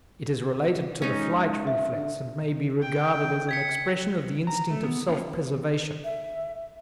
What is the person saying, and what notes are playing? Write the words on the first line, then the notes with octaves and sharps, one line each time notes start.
It is related to the flight reflex and may be regarded as an expression of the instinct of self-preservation.
G#2 C#4 D#4
E5
D3
G5
G#6 B6 C#7
A#5
A3
B3
A#3 C#4 F4
E5